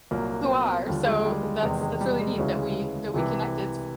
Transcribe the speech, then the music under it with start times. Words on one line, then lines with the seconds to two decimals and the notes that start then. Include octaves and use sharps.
who are, so that's that's really neat that we that we connected.
0.11 C2 A#2 F#3 A#3
0.44 C4
0.49 B3
0.87 D#2 D3 F3 G3
1.06 G#3
1.25 G3
1.43 G#3
1.62 E2 C3 D#3 G#3
1.81 G#3
2.01 G3
2.20 G#3
2.38 D2 C#3 E3 G#3
3.14 C2 C3 E3